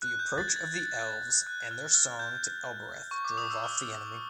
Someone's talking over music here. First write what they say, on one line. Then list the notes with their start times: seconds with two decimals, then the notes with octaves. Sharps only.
The approach of the elves and their song to Elbereth drove off the enemy.
0.02 F#6
0.19 G6
0.38 A6
0.48 G#6
0.56 A6
0.74 A6
1.47 F#6
1.71 F6
1.95 F6
2.19 G6
3.11 C#6
3.25 D6
3.37 D#6
3.50 E6
3.64 F6